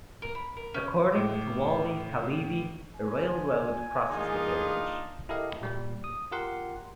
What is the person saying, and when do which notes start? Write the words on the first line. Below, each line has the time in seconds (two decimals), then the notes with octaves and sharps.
According to Walid Khalidi, a railroad crosses the village.
0.22 A#4
0.35 B5
0.57 A#4
0.74 C#4
1.12 A2 D6
2.95 G#5
4.10 E3 A#3 D4 D#4 F4 G#4
5.29 E4 G4 A4 A#4 D#5 F5
5.62 A#2 G3
6.04 D#6
6.32 F4 G4 A#4 F#5 C6